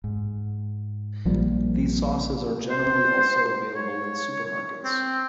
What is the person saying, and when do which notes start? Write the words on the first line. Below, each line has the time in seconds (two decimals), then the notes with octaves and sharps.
These sauces are generally also available in supermarkets.
0.04 G#2
1.25 A#1 F3 G3 A#3
2.70 C5
3.75 C#5
4.84 C4